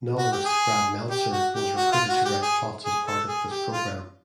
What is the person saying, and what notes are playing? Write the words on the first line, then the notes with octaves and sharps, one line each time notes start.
Novelist Brad Meltzer was recruited to write plots as part of this program.
F#4
G4
G#4
G4
F#4
G4
F#4
F4
F#4
G4
G#4
G#4
A4
G#4
G4
F4